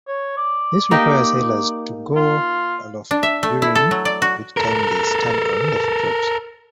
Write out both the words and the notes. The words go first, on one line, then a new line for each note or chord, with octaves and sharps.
This requires sailors to go aloft, during which time they stand on the footropes.
C#5
D5
A#3 D#4 G4
F4
D4
E5
A3
E4
A4
F#3
D5
F#4
A4 A#4